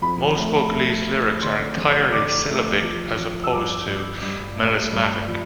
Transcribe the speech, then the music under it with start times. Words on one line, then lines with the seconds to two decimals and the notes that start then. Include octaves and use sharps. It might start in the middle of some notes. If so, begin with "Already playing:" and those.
Most vocalese lyrics are entirely syllabic, as opposed to melismatic.
0.02 F2 B5
0.37 A3
0.72 A3
1.07 A3
1.42 D3 C6
1.77 F1
2.12 D3 D6
2.47 A3
2.82 F3
3.17 F3
3.44 E6
3.53 G2 D6
3.87 G2
4.22 G2
4.58 A3
4.93 G2
5.28 F3